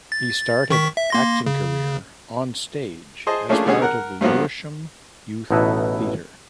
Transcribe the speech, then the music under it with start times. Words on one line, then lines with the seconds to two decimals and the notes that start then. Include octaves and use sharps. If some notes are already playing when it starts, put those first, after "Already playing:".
He started acting career on stage as part of Lewisham youth theatre.
0.12 A6
0.70 D#3 C#6 B6
0.97 E5
1.10 A#3 C6 A#6
1.46 C#3
3.27 G#4 C5 D#5 A5
3.49 A3 A#3 C#4 D4 F4 G#4
3.66 D3 G3 B3 C#4 G#4
3.82 A#4 F#5
4.21 G2 F3 F#3 A#3 B3
5.51 A1 B2 D#4 E4 A4 B4